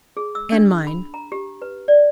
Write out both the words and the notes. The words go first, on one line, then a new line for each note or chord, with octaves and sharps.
"And mine."
G#4
E6
D4
B5
A#5
G4
B4
D5